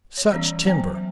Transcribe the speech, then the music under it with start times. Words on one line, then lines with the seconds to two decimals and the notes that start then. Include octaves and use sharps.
Such timber!
0.17 C#5
0.32 E3 G3 B3 C#4
0.66 F#3 B3 C5 G5 G#5 A#5
0.95 F#3